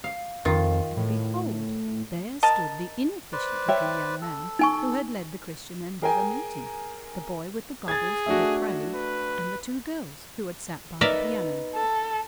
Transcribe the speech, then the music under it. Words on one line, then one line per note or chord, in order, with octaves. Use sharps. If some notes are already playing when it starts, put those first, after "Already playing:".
And behold, there stood the inefficient-looking young man who had led the Christian Endeavor meeting, the boy with the goggles who had prayed, and the two girls who had sat by the piano.
F5
F2 D#3 F4
A2
A#4 D#5 A5
B4 C5 D5
C#5 E5 G5
A4
D#4 G#5 C#6
G#4 A#4 G5 G#5
G#4 G#6 A6
A3 D4 F#4
B4
B3 D#4 A#4 D5 E5
A4